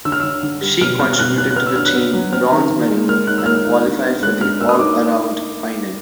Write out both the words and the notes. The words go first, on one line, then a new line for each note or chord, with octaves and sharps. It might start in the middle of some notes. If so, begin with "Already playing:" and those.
She contributed to the team bronze medal and qualified for the all-around final.
D3 E6
F6
D3 E6
D3
G3
B2 F6
B2 F6
F6
B2 F#6
B2 F#6
F#6
B3 F6
E6
D4 F6
F#6
B3
F#3
C4 F6
D#3
D#3
G#3
A#3 F6
D#4 F#6
E6
A#3 F6
D#4
D4
B3
G#3 F#6
D4 F6
A#3 E6
D#6
D#4 D6